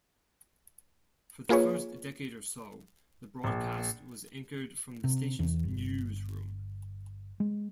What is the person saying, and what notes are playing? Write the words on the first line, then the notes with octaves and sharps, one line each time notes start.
For the first decade or so, the broadcast was anchored from the station's newsroom.
A#3 F4 G#4 B4 C#5
A#1
C3
E2
G1
G#3